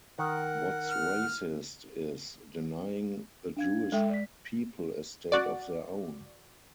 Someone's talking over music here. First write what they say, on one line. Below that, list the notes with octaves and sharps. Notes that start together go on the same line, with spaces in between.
What's racist is denying the Jewish people a state of their own.
D#3 A#4 F#5
F6
D4 F5 G#6
G#3 A4 E5 G5
D5 B6
F#4 D5